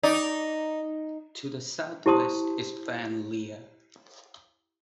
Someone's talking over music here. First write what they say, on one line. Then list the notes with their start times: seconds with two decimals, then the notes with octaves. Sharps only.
To the south-west is Fan Llia.
0.03 D#4 D5
2.06 E4 G4 C5 A5 C6 D#6